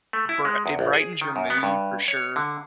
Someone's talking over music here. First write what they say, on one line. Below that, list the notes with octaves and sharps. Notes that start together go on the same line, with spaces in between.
bri it brightens your mood for sure
A3
E4
G#3
E2
A#1
G#4
D#3
F#2
B3
G2
C#5
D3